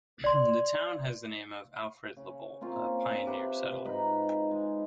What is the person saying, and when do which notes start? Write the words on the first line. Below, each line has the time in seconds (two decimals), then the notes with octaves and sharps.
The town has the name of Alfred Labolt, a pioneer settler.
0.24 D5 C6
2.17 C#3
2.61 A#3 C4 C#4 F4
3.26 C3 G4 B4 C6
3.85 G#2 D#4 B4 A#5
4.51 G#3